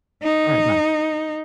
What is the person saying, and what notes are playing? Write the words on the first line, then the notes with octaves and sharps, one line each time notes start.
Alright, bye.
D#4